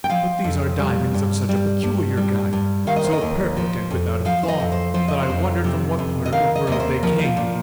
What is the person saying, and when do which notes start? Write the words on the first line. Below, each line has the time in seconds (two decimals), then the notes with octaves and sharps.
"But these are diamonds of such a peculiar kind, so perfect and without a flaw, that I wondered from what part of the world they came."
0.04 G5
0.09 F3 F5
0.44 F2
0.79 G3
1.14 G2
1.49 G3
1.83 G2
2.17 G3
2.53 G2
2.87 D#3 F5
2.96 D#5
3.04 C5
3.13 D#5
3.21 D#2
3.57 F3
3.90 F2
4.25 F3 F5
4.43 C5
4.48 D#5
4.60 F2
4.72 C5
4.94 F3 C5
5.08 D#5
5.23 C5
5.30 F2
5.64 C3
5.99 F2
6.25 D#5
6.32 D#3 F5
6.55 D#5
6.67 D#2 D#5
6.80 C5
7.03 F3 A#4
7.19 D#4
7.25 F4
7.37 A#2